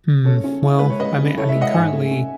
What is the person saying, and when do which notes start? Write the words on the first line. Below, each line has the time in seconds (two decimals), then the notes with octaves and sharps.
Hmm, well, I mean I mean, currently,
0.25 C#3 A4 C#5
0.44 C#4
0.63 E4
0.79 G#3 B4
0.90 C#5
1.00 C#3 B4 D#5
1.18 C#4
1.37 E4 A4 C#5
1.49 C#5 E5
1.56 G#3
1.61 D#5 F#5
1.73 G#2 E5 G#5
1.93 A3
2.11 C#4